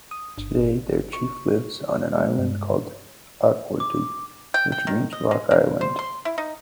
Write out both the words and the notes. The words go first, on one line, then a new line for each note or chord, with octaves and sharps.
Today their chief lives on an island called Acuadup, which means "rock island".
D#6
G1
G#1
C#6
G#3
G2
D6
G5
G5
D#3
D#5
G#3
A#3
C5
C6
E4
D#4